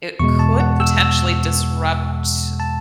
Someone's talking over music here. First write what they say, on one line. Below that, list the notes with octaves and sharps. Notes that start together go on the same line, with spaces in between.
it could potentially disrupt
E2 B2 G#3 C#6
A5
F#5
E6
E6
A5